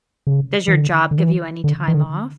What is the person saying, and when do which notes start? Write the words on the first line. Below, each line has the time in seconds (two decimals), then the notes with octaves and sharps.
does your job give you any time off?
0.27 C#3
0.68 E3
0.73 D3
1.11 D3
1.18 E3
1.64 D3
1.88 E3
1.95 D3